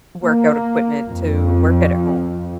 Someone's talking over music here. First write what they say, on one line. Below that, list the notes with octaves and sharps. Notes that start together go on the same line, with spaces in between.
workout equipment to work at home
A#3
F2